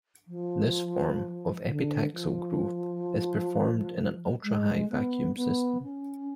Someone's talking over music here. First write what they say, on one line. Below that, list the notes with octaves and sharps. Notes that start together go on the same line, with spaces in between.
This form of epitaxial growth is performed in an ultrahigh vacuum system.
F3
D3
F3
G#3
B3
B3
C#4